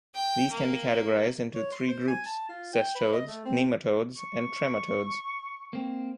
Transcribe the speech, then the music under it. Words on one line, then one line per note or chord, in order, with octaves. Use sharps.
These can be categorized into three groups; cestodes, nematodes and trematodes.
G5
A#3
C#5
C6
C5
G#5
A5
F4
G5
B4
D#5
A3
C4
C#6
A#3 C4